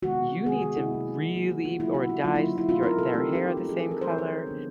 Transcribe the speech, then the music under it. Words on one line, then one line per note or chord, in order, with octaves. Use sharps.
you need to really or dyes your their hair the same color.
C3 D#3 G#3 B3 F#4
C3 D#3 G#3 B3 G#4
F#4
E4
D#3 F#3 A#3
D#3 F#3 A#3
F#4
F4
D3 F#3 A#3 D#4 E4
F#4
F#4
D3 F#3 A#3 D#4 F4
E4
E4
E3 A3 C4 D#4 F4
A#4
A4
E3 A3 C4 D#4 G4
G4
F3 A3 C#4 G4
G#4
A4
A#4
F3 A3 C#4 C5
C#5
C5
D3 G3 B3 D4